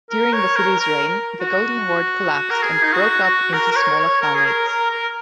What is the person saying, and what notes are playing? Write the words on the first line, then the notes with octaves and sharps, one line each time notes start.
During Vasily's reign the Golden Horde collapsed and broke up into smaller Khanates.
A#4
C#5
A#4
A#4
F#4
A#4
G#4
D#4
F#4
F#4
A#4
A#4
C#5
C#5
A#4
G#4
A#4
A#4
A#4